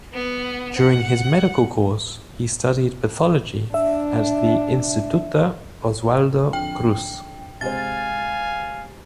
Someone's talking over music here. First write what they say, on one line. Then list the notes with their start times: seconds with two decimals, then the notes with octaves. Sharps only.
During his medical course, he studied pathology at the Instituto Oswaldo Cruz.
0.13 B3
0.79 F#5
3.74 D4 E5
6.53 F2 D3 G5
7.61 C3 G#3 C5 F5 G#5 A6